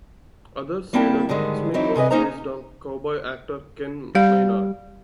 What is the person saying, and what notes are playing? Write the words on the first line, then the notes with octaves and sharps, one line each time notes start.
Others say that Smith was based on cowboy actor Ken Maynard.
G3 A#3 C4 E4 G5 A5
G#2 D3 D#3 G3 G#3
E3 F#3 C4 D#4 E4
G2 C3 G#4 B4 D#5
A#3 C#4 D#4 C5 D#5 A#5
G3 F5